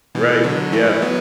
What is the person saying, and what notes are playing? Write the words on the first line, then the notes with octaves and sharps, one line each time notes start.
Right, yeah.
B2 E3
D3 F#3
E3 A3
F#3 B3